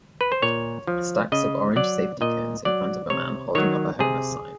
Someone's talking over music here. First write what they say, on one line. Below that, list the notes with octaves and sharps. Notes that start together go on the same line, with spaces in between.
Stacks of orange safety cones in front of a man holding up a homeless sign.
B4
C5
A#2 C#5
F3
C#3 D#5
F#3 D5
A#2 D#5
F#3 D5
C3 C#5
D#3 F#3 C#5
C3 G#4